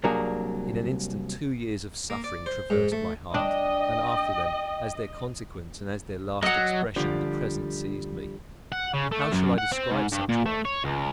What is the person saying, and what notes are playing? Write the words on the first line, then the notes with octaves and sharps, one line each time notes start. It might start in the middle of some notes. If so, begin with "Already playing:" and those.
In an instant two years of suffering traversed my heart, and after them, as their consequence and as their last expression, the present seized me. How shall I describe such woe?
C2 F#3 A#3 D4 G#4
A#3
D5
C5
G#2
A3
D4 D#5 G5
F#3 D#5 F#5
D3 F3 G3
F#5
C#3
A3
F#2
F#5
C4
G#2
G2
A#2
A3
C#5
C#2